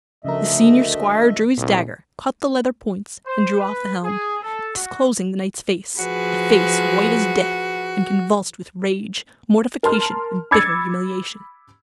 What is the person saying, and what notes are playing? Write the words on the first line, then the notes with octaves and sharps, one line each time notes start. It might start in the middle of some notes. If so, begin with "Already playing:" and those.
The senior squire drew his dagger, cut the leather points, and drew off the helm, disclosing the knight's face--a face white as death, and convulsed with rage, mortification, and bitter humiliation.
D2 C#3 F3 A3 A#4 D#5 E5
C2 A#2 G#3
C5
B4
G#4
A4
F#4
F3 F#4 G#4 B4
A#4 A5 C6 F6
B5 D6 E6 G#6 A6 C#7